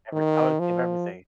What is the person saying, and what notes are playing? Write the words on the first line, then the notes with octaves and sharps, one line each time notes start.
every I would give everything.
D#3
F3